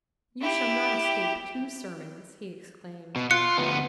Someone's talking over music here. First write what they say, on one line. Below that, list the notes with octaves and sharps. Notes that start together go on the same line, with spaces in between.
"You shall not escape two sermons," he exclaimed.
E4 G4
B2
F4 F#6 C#7
D2 B3